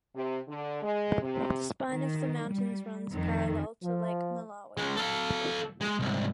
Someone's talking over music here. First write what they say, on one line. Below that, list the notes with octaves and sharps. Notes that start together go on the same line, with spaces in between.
The spine of the mountains runs parallel to Lake Malawi.
C3
D3
G#3
C3
D#3
G3
F2 D#3
F3
G#3 C#4
A4 F5
G#3
C2 G#2